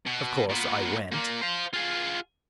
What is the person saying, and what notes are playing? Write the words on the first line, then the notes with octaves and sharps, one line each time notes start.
Of course I went.
B2
A#2 B3
A#2 A#3
C5 F5
F4 G#4